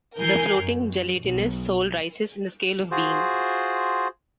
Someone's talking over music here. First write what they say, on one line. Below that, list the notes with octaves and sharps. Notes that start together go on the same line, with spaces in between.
The floating gelatinous soul rises in the scale of being.
E3 A#4 G#5 G6 C7
F#2
B1
F4 F#4 G#4 C5